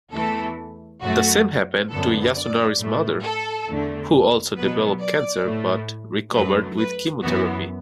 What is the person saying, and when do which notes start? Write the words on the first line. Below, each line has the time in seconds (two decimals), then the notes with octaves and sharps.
The same happened to Yasunari's mother, who also developed cancer but recovered with chemotherapy.
0.13 E2 E3 A3 A4
1.01 F#2 F#3 A3 F#4
1.90 F#2 D3 B3 A4
2.35 D5
2.79 A2 A3
3.24 A4
3.67 E2 D3 A3
4.56 B2 F#3 B3 B4
5.01 D5
5.45 A2 A3
6.33 F#2 F#3 A3 B4
6.78 B4
7.22 F#2 E3 B3 F#4